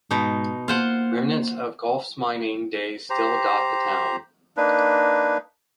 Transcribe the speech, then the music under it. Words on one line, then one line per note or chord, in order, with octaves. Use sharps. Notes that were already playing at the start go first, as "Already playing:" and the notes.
Remnants of Goffs's mining days still dot the town.
G#2 B2 D#4
A#3 F4 C5 F#5
G4 C5 A#5
A#3 D4 D#4 B4